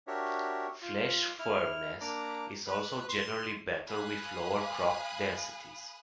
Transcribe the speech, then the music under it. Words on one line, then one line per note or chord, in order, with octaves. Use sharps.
Flesh firmness is also generally better with lower crop densities.
D4 F#4 G4 A#4 C#5 E5
F4
E4 F6
A#3 D4 A#5 D6
B4
C6
F5 G#5 B5 D#6 F#6